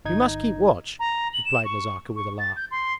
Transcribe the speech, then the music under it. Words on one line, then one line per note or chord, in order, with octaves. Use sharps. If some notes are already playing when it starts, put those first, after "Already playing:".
You must keep watch,' replied Nazarka with a laugh.
G1 D#4 G#6
A#5
F#7
E7
C#6
C#6
A6
G6
C6